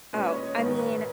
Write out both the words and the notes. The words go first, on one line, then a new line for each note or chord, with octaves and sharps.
Oh, I mean,
A#2 G#3 C#4 B4
C#5
D#5
C#5
A#1 G#2 D#3 G#3 B4
B4